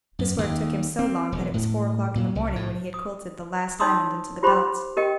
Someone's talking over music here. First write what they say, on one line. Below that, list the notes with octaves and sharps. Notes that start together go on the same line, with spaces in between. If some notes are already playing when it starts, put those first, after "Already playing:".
This work took him so long, that it was four o'clock in the morning when he had quilted the last diamond into the belt.
F#2
D#2
C4
E1
A2
A#2
C2
A2
D#6
D#4 C#5 A5 C6 D#6 E6
F4 G4 C5 B5 C6 D6
G4 A#4 D#5 G5